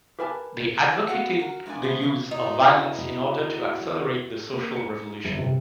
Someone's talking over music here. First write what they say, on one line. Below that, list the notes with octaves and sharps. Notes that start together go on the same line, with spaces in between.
They advocated the use of violence in order to accelerate the social revolution.
G4 A#4 B4 E5 G#5 A5
B3 C#4 F#4 F5 F#5
F#4 A#4
G2 G#3 B3 D4 G#5
G#3 A3 B3 C5
A2 E3 F5
E2 D#4 E4 F#4 D#5
A#3
C#7
G1
C3